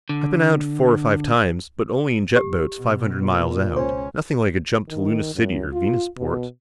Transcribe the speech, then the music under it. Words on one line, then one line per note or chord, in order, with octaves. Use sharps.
"I've been out four or five times but only in jet boats five hundred miles out. Nothing like a jump to Luna City or Venusport."
D3
G4
B2
A#2
C#2 C#4 C5
D#3
F#2
F4
B2